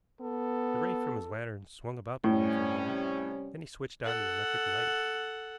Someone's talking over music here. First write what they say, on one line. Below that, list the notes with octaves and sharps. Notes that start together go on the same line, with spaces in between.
The ray from his lantern swung about the room for a moment, then he switched on the electric light.
B3 A4
A2 C3 G3 C#4
A4 F#5